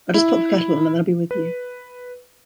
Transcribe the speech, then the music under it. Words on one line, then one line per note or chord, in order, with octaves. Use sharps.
I'll just pop the kettle on and then I'll be with you.
E4 E5
B4